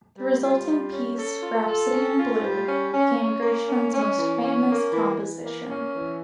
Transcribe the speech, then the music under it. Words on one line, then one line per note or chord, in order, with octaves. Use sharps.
The resulting piece, "Rhapsody in Blue," became Gershwin's most famous composition.
G3
F4
G3
C#4
A4
F4
A4
C#4
F4
G3
C#4
C#4
C#4
A#3
C#4
C#4
E3
C#4
A#3
E3
E3
A#3
C#4
E3